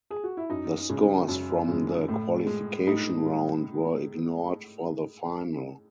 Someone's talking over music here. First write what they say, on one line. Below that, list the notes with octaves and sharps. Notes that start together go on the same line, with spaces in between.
The scores from the qualification round were ignored for the final.
G#4
F#4
E4
F#2 D#4
C#3 G#3
F#2
C#3 G#3
A2
G#3
A2 D#4
G#3